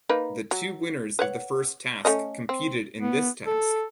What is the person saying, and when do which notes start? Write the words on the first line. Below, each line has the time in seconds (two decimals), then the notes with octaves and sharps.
The two winners of the first task competed in this task.
0.09 A#3 D#4 B4
0.51 F#3
1.19 B4 C#5 F#5
2.05 A3 C#4 D#5
2.49 C4
3.01 B3
3.47 A4